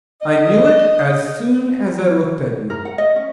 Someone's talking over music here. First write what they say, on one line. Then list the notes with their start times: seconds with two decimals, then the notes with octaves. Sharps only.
"I knew it as soon as I looked at you."
0.21 D#5
2.70 A#4
2.85 F#5
2.98 D#5
3.16 C#4